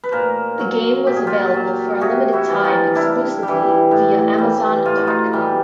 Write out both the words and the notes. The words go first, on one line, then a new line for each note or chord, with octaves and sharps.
The game was available for a limited time exclusively via Amazon dot com.
B4
A#2 A#4 C5
F#3
A#2 G4
G#4
F4 G4
F#3
C3 F#4 G#4
E4 F#4
E3 G3
D#4 F4
C3 D4 E4
G3
E3
A2
E3 G3
A2 F4
F#4
D#4 F4
E3 G3